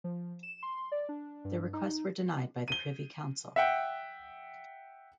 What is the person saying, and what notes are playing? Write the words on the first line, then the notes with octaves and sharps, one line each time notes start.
Their requests were denied by the Privy Council.
F3
E7
C6
D5
D4
G2
D#4
D#7 G7
E5 F#5 G5